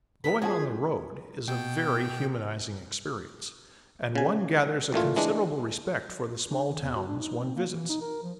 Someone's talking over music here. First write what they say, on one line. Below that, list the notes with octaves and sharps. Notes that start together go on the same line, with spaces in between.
Going on the road is a very humanizing experience and one gathers a considerable respect for the small towns one visits.
E2 D#3 B3 B6
F3 C#4 F#4 G#4 D#5 F#5 A5 G#6
B2 G5
C#3 G#5
A1 A#2 A3 F4
E3 G#3 D4
D4
D#3
E2
F#4
D4
D#4
C4
A#3
E3
D#4
A#4
F3